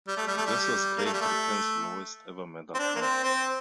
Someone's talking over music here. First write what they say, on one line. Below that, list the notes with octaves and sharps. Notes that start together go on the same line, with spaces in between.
This was Great Britain's lowest ever medal count.
G3
A3
G3
A3
G3
A#3
A3
G3
A3
C4
D4
A#3
C4
C4